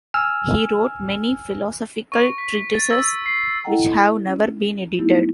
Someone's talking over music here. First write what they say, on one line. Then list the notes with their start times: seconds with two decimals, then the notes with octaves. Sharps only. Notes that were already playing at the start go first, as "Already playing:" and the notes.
He wrote many philosophical treatises which have never been edited.
0.14 G#5 E6 F6
2.12 C#6
2.38 B6
2.74 A6
2.91 E6
3.26 C7
3.64 E4 A4 D#5 F#5 G5 A#5
4.27 C#4
4.99 F#3 A3 B3 D#4 E4 G4